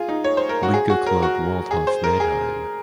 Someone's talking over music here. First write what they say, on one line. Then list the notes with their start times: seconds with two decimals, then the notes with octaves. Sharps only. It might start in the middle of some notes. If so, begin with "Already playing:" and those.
Liga club Waldhof Mannheim.
Already playing: F4 G#4
0.08 D#4
0.24 C#5
0.37 C5
0.49 A#4
0.63 F#4
0.74 G#4
0.90 F#4
1.06 A#4
1.22 F#4
1.71 G#4
1.87 C5
2.04 A#4
2.20 G#4